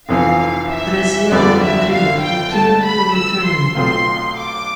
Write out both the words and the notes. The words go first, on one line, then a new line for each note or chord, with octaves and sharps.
Brazil and Peru withdrew from the tournament.
F1 F2 E3 F5
E5
G1 F2 D3 G3 B3 D5
E5
F5
G5
G2 D3 A3 A5
B5
E6
C6
B1 B2 A3 C4 F4 C6
D6